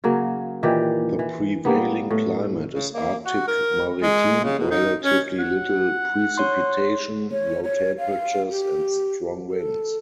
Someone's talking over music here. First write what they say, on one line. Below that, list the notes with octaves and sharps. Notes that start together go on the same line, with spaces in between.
The prevailing climate is arctic-maritime; relatively little precipitation, low temperatures, and strong winds.
C#3 F#3 A#3
A#2 D#3 E3 G4
E3
G3 A#3 B3
A2
C#3
A#3
F#4
A#4
G#3
C#3
B2
D#4
C#4
F#5
C#5 C6
C#5
C#5
F5
G4
A4